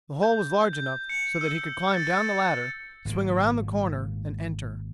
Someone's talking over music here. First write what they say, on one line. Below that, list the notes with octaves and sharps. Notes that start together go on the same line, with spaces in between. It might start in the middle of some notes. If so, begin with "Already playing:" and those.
The hole was large enough so that he could climb down the ladder, swing around the corner, and enter.
G6
G6
C#7
E6
A6
G#1 A#2 C#3 A#3